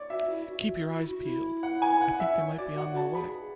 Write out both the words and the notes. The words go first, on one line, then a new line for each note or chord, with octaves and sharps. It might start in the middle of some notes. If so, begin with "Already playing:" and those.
Keep your eyes peeled! I think they might be on their way.
Already playing: C#5 D5
F#4 E5
E4
F#4
F#4
E4
F#4
E4
F#5
G#5
F#5
E5
C#5
F#4 D5
F#4 F#5
F#4 A5
G#4 B5